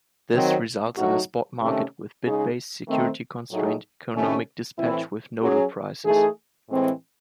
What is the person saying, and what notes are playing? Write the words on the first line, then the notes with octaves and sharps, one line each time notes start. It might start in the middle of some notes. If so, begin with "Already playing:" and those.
This results in a spot market with "bid-based, security-constrained, economic dispatch with nodal prices".
D#3 F#3 C4
A2 F#3 A3 D#4 F#4
C3 D#3 A3 C#4
C#3 G#3 D#4 G#4
D#3 A3 C4
A2 F#3 A3 D#4 G#4
C3 D#3 A3 C#4
A2 E3 C4 E4
F#3 C#4 G#4
E3 A3 D#4 G#4
A2 E3 G#3 C4